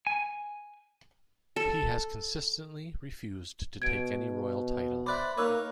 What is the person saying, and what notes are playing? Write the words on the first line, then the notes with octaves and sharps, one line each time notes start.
He has consistently refused to take any royal title.
G#5
A4
B2 G#6 D7
C5 D5 E5 B5 D6 F#6
A#3 D#4 A#4 B4 C#5 D6 E6